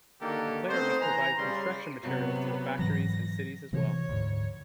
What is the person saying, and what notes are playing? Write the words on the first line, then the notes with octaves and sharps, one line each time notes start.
The player must provide construction materials to the factories and cities as well.
D3 D#3 A#3 F#4 G4 A4
A3 B3 C4 D#4 C5
E3 B4 G#5 A#5
C#3 G3 C6
C3 F#3 B3
G#2 E3 F#3 A#6
C3 E3 F3 C#5
D2 G#2